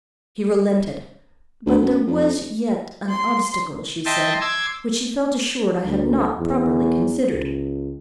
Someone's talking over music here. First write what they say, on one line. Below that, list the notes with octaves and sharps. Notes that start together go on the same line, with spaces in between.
She relented; but there was yet an obstacle, she said, which she felt assured I had not properly considered.
D2
F#2
F2
C6
D#5 E5 G5 A5 C6
C6 D6 E6 G#6
D2
E2
C#2